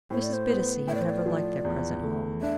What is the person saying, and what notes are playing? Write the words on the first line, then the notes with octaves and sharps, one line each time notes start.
Mrs. Bittacy had never liked their present home.
A2 C5
D5
C5
B3
A2 E5
D5
C5
D5
F3
E2
A3
D4 E5